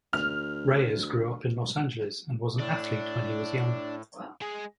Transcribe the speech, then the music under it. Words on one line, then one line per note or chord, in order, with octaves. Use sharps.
Reyes grew up in Los Angeles and was an athlete when he was young.
D2 F6
A2 D4
G#3 G#4